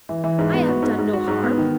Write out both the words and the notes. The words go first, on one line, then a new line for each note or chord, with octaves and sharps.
"I have done no harm."
E3
E3
G#2
B3
F#4
G#2
G#2
F#4
G#2
B3
D#3